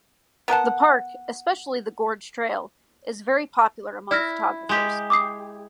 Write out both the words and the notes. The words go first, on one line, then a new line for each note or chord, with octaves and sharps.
The park, especially the Gorge Trail, is very popular among photographers.
B3 A#4 F#5 A5
E4 D5 F6 A#6
G#3 G4
D6 D#6 C7